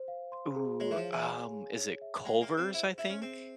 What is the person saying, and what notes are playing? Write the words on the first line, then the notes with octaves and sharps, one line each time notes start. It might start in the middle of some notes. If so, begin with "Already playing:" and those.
Ooh, um, is it Culver's, I think?
Already playing: C5
F5
C6
G#4
G#3 C#5
E3
F3
F5
E3
G#5
G#4
C#5
E5
G#3 G5
A#3
G#4
C4
E4 C5
E4 E5
C#4
C4 G#4